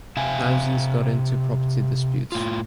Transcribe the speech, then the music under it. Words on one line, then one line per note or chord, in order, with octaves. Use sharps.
Thousands got into property disputes.
C3 E5 F5 G#5
A2 F4